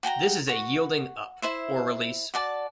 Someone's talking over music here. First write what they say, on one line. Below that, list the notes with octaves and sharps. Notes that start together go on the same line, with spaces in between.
This is a yielding up, or release.
F#4 G5 G#5 A#5
F#4 C#6
E4 C5 E5
F#4 D5 A5